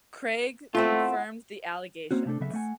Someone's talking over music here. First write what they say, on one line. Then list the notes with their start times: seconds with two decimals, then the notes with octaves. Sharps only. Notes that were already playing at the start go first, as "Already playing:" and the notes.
Craigie confirmed the allegations.
0.75 A3 B3 C4 E4 F4
2.11 A#3 C4 C#4 F#4
2.26 C3 A3 D4 A4
2.40 C#3 F#3 B3 A4 E5
2.53 A3 F#5 G#5